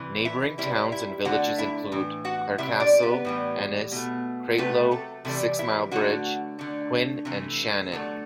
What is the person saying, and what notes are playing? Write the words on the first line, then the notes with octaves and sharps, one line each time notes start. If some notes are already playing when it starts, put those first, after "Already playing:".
Neighbouring towns and villages include Clarecastle, Ennis, Cratloe, Sixmilebridge, Quin and Shannon.
Already playing: C3 E3
E4 E5
C3 G3 E4 E5
E4 E5
D3 A3 F#4 F#5
E4 E5
A2 E3
F#4 F#5
C3 G3 E4 E5
D4 D5
B3 B4
A2 E3 G3
B2 A3
C3 F#3 A3 B3 B4
A3 A4
C3 E3 G3 A3 A4
E4 E5
D3 F#3 A3 F#4 F#5
D3 A3
C3 E3 A3
D3 F#3 A3